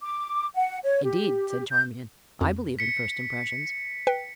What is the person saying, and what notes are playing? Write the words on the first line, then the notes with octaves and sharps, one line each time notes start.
"Indeed," said Charmian, "I believe in first impressions."
D6
F#5
C#5
G4
G6
F2
B6 C#7
B4 G5